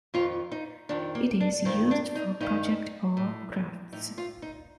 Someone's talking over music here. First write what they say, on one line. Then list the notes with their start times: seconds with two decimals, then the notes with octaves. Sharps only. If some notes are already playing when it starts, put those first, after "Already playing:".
It is used for projects or crafts.
0.14 F2 D#3 F4
0.52 D#4
0.89 F2 D#3 D4
1.15 A#3
1.41 D4
1.65 G2 D#3 C4
1.91 D4
2.15 D#4
2.41 G2 D#3 D#4
3.17 A2
3.92 A2 D#4
4.18 F4
4.42 D#4